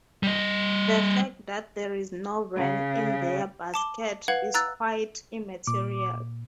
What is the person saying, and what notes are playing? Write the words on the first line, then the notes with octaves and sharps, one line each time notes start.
The fact that there is no wren in their basket is quite immaterial.
G3 D#5
C#3
A5 D6 G7
B4 F5 F#5 G#6 F#7
A#5 E6 F#6 A6
A#2 D6